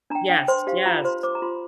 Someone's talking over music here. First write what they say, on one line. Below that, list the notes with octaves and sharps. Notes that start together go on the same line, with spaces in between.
Yes, yes.
D4 G5 A#5
D4 G5
C5 C6
G4 F5
F4 A#5
C5 C6
C5 D6
A#5
F4 C6